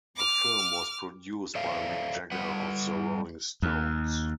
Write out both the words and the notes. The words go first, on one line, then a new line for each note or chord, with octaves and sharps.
The film was produced by Mick Jagger of the Rolling Stones.
D6 F6
A4 C5 D5 E5 F5
G3 B4 F#5
D#2